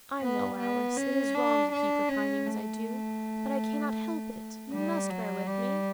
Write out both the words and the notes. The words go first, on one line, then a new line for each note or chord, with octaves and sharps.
'I know, Alice, it is wrong to keep repining as I do, but I cannot help it: you must bear with me.'
B3
B3
C#4
D4
D4
C#4
A3
G3
F#3
G3